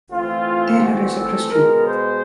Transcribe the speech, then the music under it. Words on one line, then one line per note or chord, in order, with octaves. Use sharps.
Taylor is a Christian.
E3 A3 C4 F4
F#4
A4
B2 G#3 B3 A#4
C5